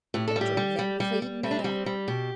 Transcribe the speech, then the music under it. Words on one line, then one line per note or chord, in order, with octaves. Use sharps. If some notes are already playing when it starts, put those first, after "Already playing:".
It drove them clean mad.
A2 G4
A4
G3
G4
G3
G3
G3
G3
G3 C4
D4
C4
G3
G3
B2 G4